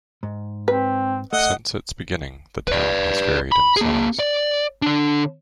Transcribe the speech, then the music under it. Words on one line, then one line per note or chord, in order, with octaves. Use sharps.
Since its beginning, the town has varied in size.
G#2
C4 B4
A3 D#5 F#5
B4 D5
B5
A#3 G#4
D5
D3 D4